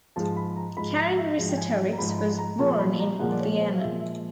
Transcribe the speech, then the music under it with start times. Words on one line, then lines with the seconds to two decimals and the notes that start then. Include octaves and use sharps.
Karin Resetarits was born in Vienna.
0.16 G#2 F3 G#3 A5
0.37 B5
0.57 A#5
0.77 G#2 F3 G#3 B5
0.97 A#5
1.17 E5
1.37 G#2 F3 G#3
1.49 G5
1.57 G#5
1.93 A#5
1.98 G#2 F3 G#3 B5
2.09 A#5
2.18 B5
2.38 A#5
2.59 A#2 F3 G#3 A5
2.79 B5
3.00 A#5
3.19 A#2 F3 G#3 F#5
3.32 D5
3.40 C#5
3.60 C5
3.75 F5
3.81 A#2 F3 G#3 E5
4.00 E5